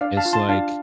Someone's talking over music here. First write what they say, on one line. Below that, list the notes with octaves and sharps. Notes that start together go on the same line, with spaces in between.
it's like,
D4 D5 F5
F5 A5
F4
A5 C6
D4 F5 A5